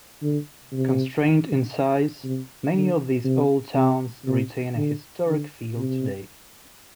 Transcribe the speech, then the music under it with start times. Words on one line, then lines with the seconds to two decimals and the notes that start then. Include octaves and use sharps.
Constrained in size, many of these old towns retain a historic feel today.
0.22 D3
0.72 C3
2.24 C3
2.75 D3
3.24 C3
3.75 C3
4.25 C3
4.76 D3
5.27 D3
5.76 C3